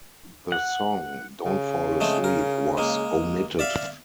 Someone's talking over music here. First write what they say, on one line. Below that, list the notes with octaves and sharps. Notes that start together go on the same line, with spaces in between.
The song "Don't Fall Asleep" was omitted.
F#5
C#3
G#3 A3 C4
A#4
G#3 A#3
D5 E5 F5